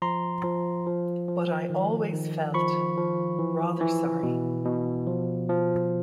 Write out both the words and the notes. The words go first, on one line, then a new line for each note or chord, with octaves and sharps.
But I always felt — rather sorry.
F3 A#5 C6
F3
F3
F3
D#3
D#3
F3 B5 C#6
F3
E3
E3
B2
B2
F3
F3